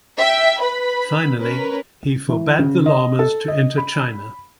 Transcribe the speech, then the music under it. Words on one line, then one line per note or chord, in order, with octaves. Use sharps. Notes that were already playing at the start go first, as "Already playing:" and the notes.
Finally, he forbade the Lamas to enter China.
E5 G5
B4 B5
C#4 A#4 B4
E3
C#3
D#5
A4
D#5
B5